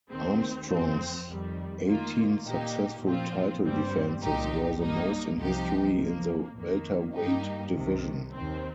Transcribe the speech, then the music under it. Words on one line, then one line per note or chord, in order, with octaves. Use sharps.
Armstrong's eighteen successful title defenses were the most in history in the Welterweight division.
D#2 D#3 C4
F2 F3 C4
F2 D#3 G3
D#3 A#3 F4
A#2 A#3 D#4 G4
A#2 F3 C4 F4
G2 G3 C4
C2 A#2 F3 D#4 G4
G2 G3 A#3 D#4
C2 C3 F3 D#4 G4
F2 F3 A#3
F2 D#3 A#3
G2 G3 A#3 D#4 G4
C2 C3 D#3
D#2 D#3 C4